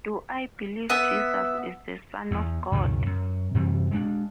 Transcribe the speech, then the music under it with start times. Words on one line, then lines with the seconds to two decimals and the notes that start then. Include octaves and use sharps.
Do I believe Jesus is the son of God?
0.90 B3 E5
2.31 E2
2.72 C#2 F#2 B2 D#3
3.06 F#2
3.54 F#2 C3 E3 G3
3.91 G#3 C4 D4